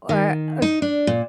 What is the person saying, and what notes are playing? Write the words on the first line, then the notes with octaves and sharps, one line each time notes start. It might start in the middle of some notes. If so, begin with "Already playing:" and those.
Or or
D#3
D#4
D4
A#2